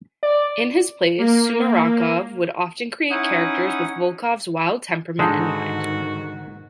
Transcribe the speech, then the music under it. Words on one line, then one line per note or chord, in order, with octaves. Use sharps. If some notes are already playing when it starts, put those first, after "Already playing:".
In his plays, Sumarokov would often create characters with Volkov's wild temperament in mind.
D5
A#3
C#4 D#4 E4 F#5 D#6
G#2 D3 D#3 G#3 D#4 F#4